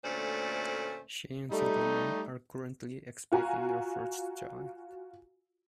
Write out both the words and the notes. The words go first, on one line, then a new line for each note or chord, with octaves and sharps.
She and Silverman are currently expecting their first child.
D2 A#2 A3 C#4 C5 D5
G3 A3 D#4
F4 F#4 G#5 A#5